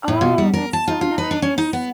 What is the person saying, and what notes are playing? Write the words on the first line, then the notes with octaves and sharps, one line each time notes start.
Oh, that's so nice.
A2
B2
G3
A#4
A5
F4
F4
B4
D4
C#4
D#4
B3